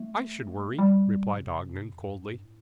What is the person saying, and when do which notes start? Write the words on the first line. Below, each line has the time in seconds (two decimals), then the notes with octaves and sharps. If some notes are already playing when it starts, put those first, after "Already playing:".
"I should worry!" replied Ogden coldly.
Already playing: A3
0.79 G3
1.33 C3
1.88 F2
2.16 G2
2.43 A2